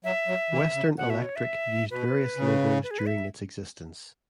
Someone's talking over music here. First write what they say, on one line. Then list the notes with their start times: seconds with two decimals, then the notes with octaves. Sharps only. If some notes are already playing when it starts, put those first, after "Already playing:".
Western Electric used various logos during its existence.
0.04 F#3 E5
0.27 F#3
0.50 E3
0.74 C#3
0.97 B2 F#5
1.10 E5
1.23 C#5
1.36 E5
1.90 B2 B4
2.37 C#3
2.83 B4
2.91 G#4
2.99 B4
3.06 E5